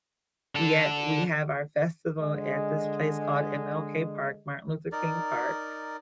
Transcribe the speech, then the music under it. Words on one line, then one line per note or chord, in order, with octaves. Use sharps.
yet we have our festival at this place called MLK Park Martin Luther King Park,
D3 A4
D3 G#3
D#4 A#4 D5